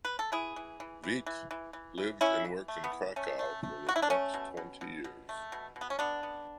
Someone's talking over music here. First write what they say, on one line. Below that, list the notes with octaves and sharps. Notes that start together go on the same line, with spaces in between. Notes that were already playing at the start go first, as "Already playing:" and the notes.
Veit lived and worked in Krakow for the next twenty years.
B4
A4
E3 E4 G#4
E3
E3
E3
E3
E3
E3
E3
E3 C#4 E4
E3
A3
B3
E3
A3 C#4
A3
A3
E3 F#4
E4
D4
A3 C#4
B2
B2
B2
B2
A3
B2
B2
B3
C#4
D3 B3 D4
B3